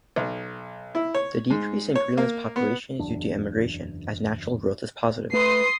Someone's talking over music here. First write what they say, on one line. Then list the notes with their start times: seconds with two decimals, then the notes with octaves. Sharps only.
The decrease in Greenland's population is due to emigration, as natural growth is positive.
0.16 B1
0.95 E4
1.14 C#5
1.50 G#2
1.95 C#5
2.18 A#3
2.56 B3
2.99 F#1 E2 D4
5.33 A3 B4 C6 D#6 C7